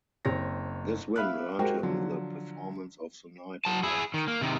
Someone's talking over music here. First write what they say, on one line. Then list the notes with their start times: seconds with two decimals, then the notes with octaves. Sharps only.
This win earned him the "Performance of the Night" award.
0.25 F#1 C4 C#5 A#6
1.16 E5 F5 B5 F6 F#6
1.59 G#3 F#4 G4 A#4 C5 G5
1.83 D3 F3 F#3
3.65 F#3 A5
3.83 E4 G#4
4.14 D#3
4.28 A#3
4.41 C3 D#3